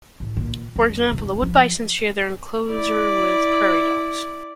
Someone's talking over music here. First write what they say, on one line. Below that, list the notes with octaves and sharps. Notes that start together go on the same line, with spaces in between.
For example, the wood bisons share their enclosure with prairie dogs.
A1
A#2
F#2
E1
F3
E4 D5